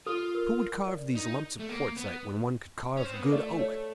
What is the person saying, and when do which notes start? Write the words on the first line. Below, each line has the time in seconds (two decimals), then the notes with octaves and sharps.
Who would carve these lumps of quartzite when one could carve good oak?
0.06 F4 A4
0.35 A#4
0.88 D5
1.15 D#4
1.59 A3
1.69 A#3
1.97 B3
2.97 C#4
3.05 C4
3.14 B3
3.23 A#3
3.32 A3 D5
3.59 C#5